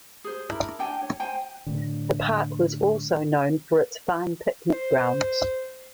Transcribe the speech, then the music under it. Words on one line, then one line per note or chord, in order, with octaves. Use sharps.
The park was also known for its fine picnic grounds.
G#4 C5
D4 E4 A#4
D4 G5 G#5
C#5
C5 G5 G#5
A2 D3
C5